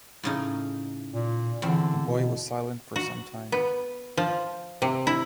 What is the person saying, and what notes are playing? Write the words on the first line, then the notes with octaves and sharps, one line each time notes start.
The boy was silent for some time.
A2 C#3 D#4
A#2
E2 D3 C4
B2
F#4
B3
F3
C3
E4